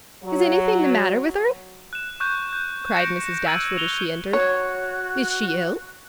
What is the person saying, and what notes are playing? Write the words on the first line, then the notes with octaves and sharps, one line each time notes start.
"Is anything the matter with her?" cried Mrs. Dashwood as she entered--"is she ill?"
F#3
F#6 E7
C#6 F#6 G6 E7
G6
G6 A#6 C#7 D7 E7
E6 F#6 G#6 D#7 F#7
F7 G7
F#4 C#5